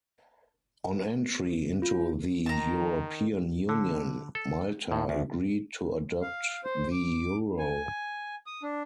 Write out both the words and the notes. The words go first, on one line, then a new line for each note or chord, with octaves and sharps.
On entry into the European Union, Malta agreed to adopt the euro.
F4
D#3 A5 A#5
D3
A4
A2
D2
F5
C5
D6
G#5
D#6
D4